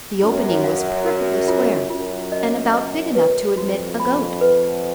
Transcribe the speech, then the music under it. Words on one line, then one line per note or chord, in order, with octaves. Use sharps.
The opening was perfectly square, and about big enough to admit a goat.
F#2 F4
F5
A#4
F4
F#2 F4
D#5
D#5
B4
F2 F#4
B5
B4